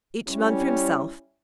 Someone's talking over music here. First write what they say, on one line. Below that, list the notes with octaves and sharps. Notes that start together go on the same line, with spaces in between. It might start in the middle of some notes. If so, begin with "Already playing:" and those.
Each man for himself.
G3 C#4 E4